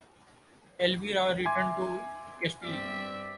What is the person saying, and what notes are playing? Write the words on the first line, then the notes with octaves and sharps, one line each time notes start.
Elvira returned to Castile.
E5 G#5 C6 D6 G#6
G2 C4 D5 E5